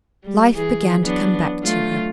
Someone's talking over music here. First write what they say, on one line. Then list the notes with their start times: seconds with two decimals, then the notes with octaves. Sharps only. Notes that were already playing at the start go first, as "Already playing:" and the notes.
Life began to come back to her.
0.24 G3
0.55 E3 G#4
1.04 F#3 B3 D4
1.61 F#3 A3 F4